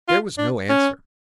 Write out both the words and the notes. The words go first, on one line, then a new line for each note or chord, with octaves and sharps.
There was no answer.
F4
D4
C#4